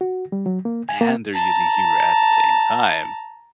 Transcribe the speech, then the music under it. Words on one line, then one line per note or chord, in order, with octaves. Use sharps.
and they're using humor at the same time,
F#4
G3
F#3
A#3
G#5
A#3
A5 A#5